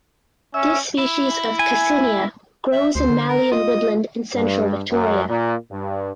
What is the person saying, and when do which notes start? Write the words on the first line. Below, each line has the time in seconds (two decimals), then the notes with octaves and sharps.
This species of "Cassinia" grows in mallee and woodland in central Victoria.
0.54 C#4 E5
0.98 E4
1.59 G#5
2.72 E5
2.95 D2 C5
3.10 D3
3.29 A#4
3.52 F4 D#5
4.34 G2
4.90 F#2
5.29 A#2
5.70 G2